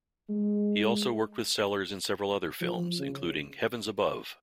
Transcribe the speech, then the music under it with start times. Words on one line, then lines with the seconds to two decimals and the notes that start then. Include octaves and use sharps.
He also worked with Sellers in several other films, including Heavens Above!
0.29 G#3
2.61 F3
2.99 C#3